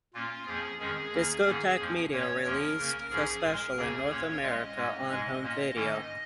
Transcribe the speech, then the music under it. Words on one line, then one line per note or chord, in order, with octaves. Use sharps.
Discotek Media released the special in North America on home video.
A#2 A#3 C#4 F4
F2 F3 A#3 C#4 G#4
F2 D#3 G#3 C#4 G#4
D#2 D#3 A#3 C#4
G#2 D#3 A#3 C#4
F2 F3 A#3 C#4
A#2 A#3 C#4 C#5
F2 F3 A#3 C#4 A#4
C#3 A#3 C#4
G#2 F3 C#4 G#4
A#2 G#3 C#4 A#4
D#2 C#3 A#3 C#4 G#4
A#2 A#3 C#4 C#5
A#2 G#3 C#4 D#5
G#2 G#3 C#4
G#2 G#3 C#4 D#5
A#2 A#3 C#4 D#5
G#2 D#3 A#3 C#4